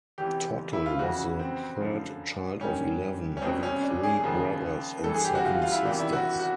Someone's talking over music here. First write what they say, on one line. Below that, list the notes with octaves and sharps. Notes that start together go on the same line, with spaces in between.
Tottel was the third child of eleven, having three brothers and seven sisters.
E2 C3 E3 G4
E4
F4
F2 C#3 E3 F#4
C4
F#2 D3 F3
G2 D#3 C#4
C#4
C2 B2 C4
C#4
D4
G#4
D#2 C#3 F3
G2 E3 A4
G#4
G4
F#4
F4
F4
E4
E2 C3 D#3 D4
E4
F#4
F#4